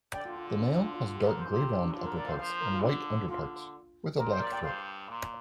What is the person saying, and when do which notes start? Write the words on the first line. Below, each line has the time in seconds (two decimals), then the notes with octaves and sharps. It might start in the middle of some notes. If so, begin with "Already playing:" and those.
The male has dark grey-brown upperparts and white underparts, with a black throat.
0.14 D3 D5 G5
0.25 F4
0.36 F4
0.48 F4
0.59 D4
0.70 D4
0.81 F4
0.93 F4
1.04 F4
1.15 G4
1.26 A#4
1.38 C5
1.49 C3 F4
1.60 G4
1.71 F4
1.83 D4
1.93 D3 F4
2.05 A#4
2.16 A#4 D5
2.27 C5 F5
2.38 F3 C5 F5
2.50 C5
2.61 A#4
2.72 F4
2.83 D3 D4
3.28 D3 F4
4.18 A#2 A#4
4.30 C5
4.41 A#4 D5
4.52 D5 G5
4.63 G2 C5 F5
5.08 A#2